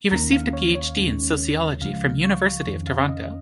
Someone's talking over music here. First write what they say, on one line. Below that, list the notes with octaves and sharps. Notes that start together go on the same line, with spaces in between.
He received a Ph.D in sociology from University of Toronto.
D#2 D#3 A#3 C#4 A#5
F5
C#5
C#5
D#2 D#3 G#3 C#4
C#2 C#3 F3 G#3 F5
C#6
F2 D#3 C#4
F5
D#5